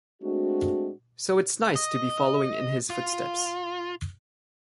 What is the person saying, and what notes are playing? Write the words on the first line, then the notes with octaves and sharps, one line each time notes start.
So it's nice to be following in his footsteps.
G#3 A3 C4 D4 F#4
D#5
F4